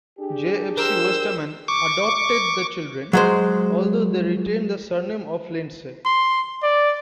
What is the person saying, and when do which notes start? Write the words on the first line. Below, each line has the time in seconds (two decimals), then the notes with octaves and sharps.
J F C Westerman "adopted" the children although they retained the surname of Lindsaye.
0.19 D4 G4 G#4
0.77 A#4 C5 E6
1.68 C#6 D6
3.13 F#3 G#3 C5
6.05 C6
6.63 D5